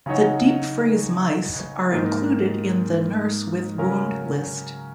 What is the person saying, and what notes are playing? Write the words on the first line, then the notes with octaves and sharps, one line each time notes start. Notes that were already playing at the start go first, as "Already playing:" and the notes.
The Deep Freeze Mice are included in the Nurse with Wound list.
C#3 F#3 D#4 F#4 C#5
G#2 D#3 A#3
C#3 F#3 C#4 A#4